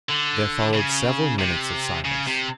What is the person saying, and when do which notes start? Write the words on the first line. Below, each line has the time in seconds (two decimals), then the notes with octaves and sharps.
There followed several minutes of silence.
0.09 D3
0.74 C#3
1.39 C3
2.05 C#3
2.27 C3